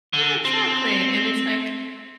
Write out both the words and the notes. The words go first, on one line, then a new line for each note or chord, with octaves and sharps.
Ah, exactly, and it's like
D3
C4